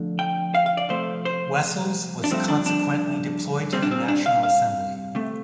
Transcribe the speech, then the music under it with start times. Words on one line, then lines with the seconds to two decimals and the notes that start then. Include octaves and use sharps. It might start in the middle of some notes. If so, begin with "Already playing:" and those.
Wessels was consequently deployed to the National Assembly.
Already playing: F2 D3 F3 A3
0.19 G5
0.55 F5
0.66 F5
0.77 D5
0.89 C3 F3 A3 C5
1.25 C5
2.24 D4
2.31 G2 F3 A3 C4
2.48 D4
2.66 D4
3.73 C3 G3 C4
3.82 D4
3.91 C4
4.08 D4
4.26 F5
4.43 F5
5.15 C3 A3